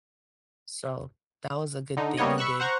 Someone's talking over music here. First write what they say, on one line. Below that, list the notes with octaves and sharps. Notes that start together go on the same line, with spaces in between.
So that was a good thing you did.
D3 D#4
G3 A#3 B3 C#5 D#5
B5 C#6 E6 F#6
C5 F#5 A#5 C#6